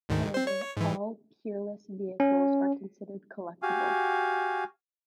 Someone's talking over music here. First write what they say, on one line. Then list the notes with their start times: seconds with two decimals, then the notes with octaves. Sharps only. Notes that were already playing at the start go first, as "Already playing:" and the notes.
However, all Peerless vehicles are considered collectible.
0.09 D2 G#2 D#3
0.34 C4 C5
0.47 C#5
0.77 G#2 E3
2.20 C#4
3.62 F#4 G4 F5 G#5